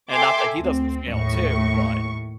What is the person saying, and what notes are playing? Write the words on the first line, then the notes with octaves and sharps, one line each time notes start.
and not that he doesn't fail too, but
A4 E5 G5 G#5 C6 D6
D2 C4
D#2 A2 C#6